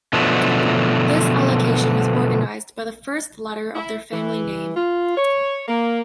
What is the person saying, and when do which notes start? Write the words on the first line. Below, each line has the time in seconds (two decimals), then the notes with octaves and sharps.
This allocation is organised by the first letter of their family name.
0.13 B2 D3 F3 F#3 A3
3.75 E4
4.12 E3
4.76 F4
5.17 C#5
5.68 A#3